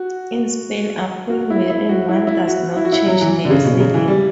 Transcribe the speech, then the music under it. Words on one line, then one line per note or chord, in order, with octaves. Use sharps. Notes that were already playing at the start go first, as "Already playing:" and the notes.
In Spain, upon marrying, one does not change their surname.
Already playing: F#4
F#4
E4
E4
F#4
E4
E4
F#4
E4
F#4
E4
F#3
E3
D3
C#3
B2
C#3
E3
G3